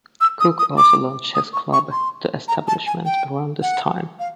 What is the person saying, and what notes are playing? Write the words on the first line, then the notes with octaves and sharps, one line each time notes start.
Cook also launched his club, The Establishment, around this time.
E6
D#6
D#6
D6
D#6
C#6
C#6
C6
A#5
A5
G#5
G5
F#5
F5